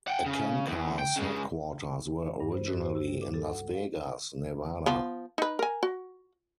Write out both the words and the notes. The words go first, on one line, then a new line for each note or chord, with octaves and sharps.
Eckankar's headquarters were originally in Las Vegas, Nevada.
F#5 G5
C#3
E2
G5
C#3 G#3
G2
C5
F#4
C5
E6
G3
D6
A4
F#5
F5
F3 B3
D#4 B4
A#4 G#5
F#4